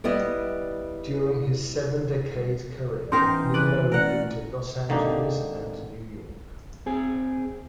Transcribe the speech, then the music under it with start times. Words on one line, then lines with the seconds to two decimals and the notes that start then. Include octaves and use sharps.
During his seven decade career, Nemo lived in Los Angeles and New York.
0.04 G3 B3 E4 D#5
3.12 E3 B3 C#4 D#4 A#4 C5 G5 C6
3.54 B4 D5 F#7
3.92 A3 C#4 A#4 D5 F#5
4.89 G#1 D3 A#3 D#4 G4
6.86 C4 G#4